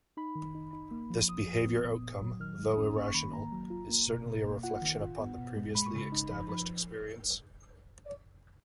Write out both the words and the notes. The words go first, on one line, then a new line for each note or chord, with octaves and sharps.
This behavior outcome, through irrational, is certainly a reflection upon the previously established experience.
D#4 B5
D#3
D#4
D#4
A#3
F3
F3 D#6
F3
B3
A#2
A#2
F#3
D#3 F6
G#3
D#6
C#4
A#3 C#6
D#3 B5
A#3 A#5
F#3
F4
A#3
B2
B2
A#3
F4 F#5
D#3
F4
B3
B2
G#3
G#3 B5
C#6
C#3 B5
D#4
F3 B5
F3 B5